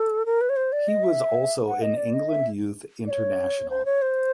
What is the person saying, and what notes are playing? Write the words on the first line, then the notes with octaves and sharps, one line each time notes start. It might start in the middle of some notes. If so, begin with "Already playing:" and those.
He was also an England Youth international.
Already playing: A4
A#4
B4
C#5
C5
D5
D#5
E5
F#5
D#5
D5
D#5
E5
D5
C#5
C5
C#5
C5